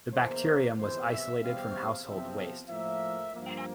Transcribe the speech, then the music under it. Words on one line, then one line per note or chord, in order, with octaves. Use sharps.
The bacterium was isolated from household waste.
E2 E3 A#3 C5
E2 C3 E3 C5
E5
E2 C3 G3 C4 F5
E2 C3 F3 C4 E5
A2 F3 A#3 E5
G2 F3 A#3